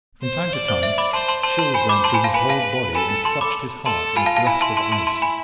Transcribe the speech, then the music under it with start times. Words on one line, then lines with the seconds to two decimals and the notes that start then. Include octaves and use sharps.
From time to time chills ran through his whole body, and clutched his heart in a grasp of ice.
0.23 C5
0.53 D5
0.68 C5
0.83 E5
0.98 B5 D6
1.13 C5 A5 C6
1.28 A5 C6
1.43 C5 A5 C6
1.59 A5 C6
1.74 G#5 B5
1.89 B5 D6
2.04 A5 C6
2.14 G#5 B5
2.24 F5 A5
2.34 B4 G#5 B5
2.49 F5 A5
2.95 A4 G#5 B5
3.25 A5 C6
3.41 B5 D6
3.86 A4 A5 C6
4.16 F4 G#5 B5
4.26 F5 A5
4.36 F5 A5
4.47 E4 G#5 B5
4.61 A5 C6
4.77 A5 C6
4.92 A5 C6
5.07 A5 C6
5.22 G#5 B5